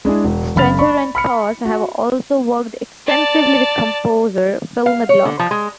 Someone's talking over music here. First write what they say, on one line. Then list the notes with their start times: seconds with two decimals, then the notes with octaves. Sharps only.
Stenger and Poss have also worked extensively with composer Phill Niblock.
0.05 G#3 D4 E4 G#4
0.24 E1
0.56 F#1 C#3 B5 F6 A6 F7
0.79 D5 B5 C#6
1.15 B5 F6 C#7
1.65 F#4
3.07 D5 A5
4.86 F5
5.09 C#5
5.25 D3
5.39 F3
5.51 G#3